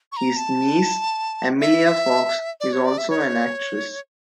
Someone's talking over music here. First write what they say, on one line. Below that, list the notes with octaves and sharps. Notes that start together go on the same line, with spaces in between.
His niece Emilia Fox is also an actress.
C#6
A#5
A5
E5
D5
C#5
D5
E5
C#5